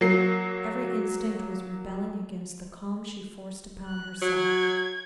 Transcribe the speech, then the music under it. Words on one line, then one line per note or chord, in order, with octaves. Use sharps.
Every instinct was rebelling against the calm she forced upon herself.
F#3 A#3 C7
F#6
F#3 G#6